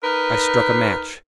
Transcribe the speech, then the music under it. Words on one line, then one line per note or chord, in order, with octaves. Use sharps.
I struck a match.
D#4 A#4 B4